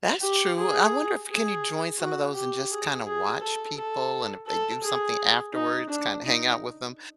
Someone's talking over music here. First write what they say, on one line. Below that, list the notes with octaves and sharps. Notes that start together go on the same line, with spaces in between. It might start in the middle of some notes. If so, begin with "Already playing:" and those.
That's true. I wonder if can you join some of those and just kinda watch people and if they do something afterwards, kinda hang out with them.
G4
G#4
G#4
F#4
G4
G#4
G#4
A4
A4
A4
G#4
D#4
D4
D#4